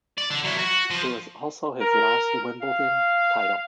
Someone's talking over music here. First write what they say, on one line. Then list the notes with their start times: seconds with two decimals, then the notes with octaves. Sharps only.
It was also his last Wimbledon title.
0.18 D5
0.31 D3
0.45 F#3 E4
0.59 F#4
0.90 F3
1.81 A#4
2.62 F5